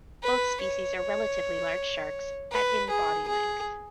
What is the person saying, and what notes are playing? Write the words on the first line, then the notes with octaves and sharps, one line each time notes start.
Both species are relatively large sharks, at in body length.
B4
C#5
B4
G#4
G#4